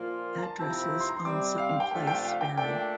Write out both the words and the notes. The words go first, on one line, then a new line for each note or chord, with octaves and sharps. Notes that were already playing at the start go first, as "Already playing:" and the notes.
Addresses on Sutton Place vary.
Already playing: A#2 F3 A#3 F4
A#5
A5
C3 F3 C4 E4 A5
A#5
A#5
C6
A#5
C6
C3 G3 C4 D6
F5
F5
G5
C3 F3 A3 D4 F4 G5
G5
F5
G5
A#2 A3 D4 G5